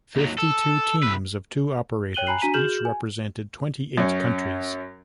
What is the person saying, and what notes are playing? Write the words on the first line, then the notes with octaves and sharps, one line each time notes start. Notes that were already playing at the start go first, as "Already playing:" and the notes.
Fifty-two teams of two operators each represented twenty-eight countries.
D#2 F#3
A4 E6
C2 B4
C#5 G5 F#6 D#7 F#7 G7
G#5 A#5 B5 F#6 C7 F#7
D4 F#4 G#5 A#5 B6 D#7
F#4 G#4 F6 G6 E7 F#7
G#5
F#2 C#4